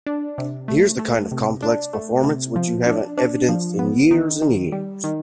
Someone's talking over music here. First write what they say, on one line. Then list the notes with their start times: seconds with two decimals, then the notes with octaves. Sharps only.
Here's the kind of complex performance which you haven't evidenced in years and years.
0.06 D4
0.38 C3
0.68 A3
0.99 A3
1.31 C3
1.62 D4
1.93 A3
2.23 C3
2.56 F3
2.86 D4
3.18 D4
3.49 F3
3.79 B3
4.11 D#3
4.42 D#3
4.72 G3
5.04 D#3